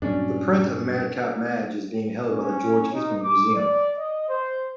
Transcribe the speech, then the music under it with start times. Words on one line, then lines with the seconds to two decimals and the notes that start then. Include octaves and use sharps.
The print of "Madcap Madge" is held by the George Eastman Museum.
0.02 G2 A#2 F#3 C#4 D4
2.28 C#4
2.92 D#4
3.22 D6
3.55 D5
3.98 D#5
4.28 C5